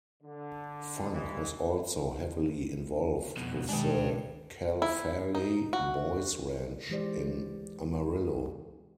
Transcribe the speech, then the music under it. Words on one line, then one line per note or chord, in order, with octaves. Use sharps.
Funk was also heavily involved with the Cal Farley Boys Ranch in Amarillo.
D3
G2 E3 G#3
F2 B2
B2 D#3 G#3 D4 G4
E4
D#4
F#4
E3 G#3 G4 C5 D5